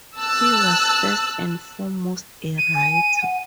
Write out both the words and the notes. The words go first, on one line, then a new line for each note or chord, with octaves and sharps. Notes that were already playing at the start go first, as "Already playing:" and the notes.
He was first and foremost a writer.
A5 E6 F#6
D#7
G#5
G#5
F#5